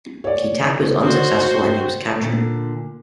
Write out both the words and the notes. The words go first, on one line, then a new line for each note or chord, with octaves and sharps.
The attack was unsuccessful and he was captured.
C#5 D5
F#4 C5
G5
A#2 D3